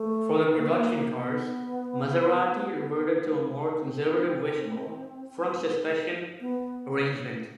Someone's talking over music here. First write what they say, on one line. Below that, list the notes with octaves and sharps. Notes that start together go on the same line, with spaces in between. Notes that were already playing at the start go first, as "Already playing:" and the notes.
For the production cars Maserati reverted to a more conservative wishbone front-suspension arrangement.
Already playing: A3
A#3
B3
A#3
B3
C4
B3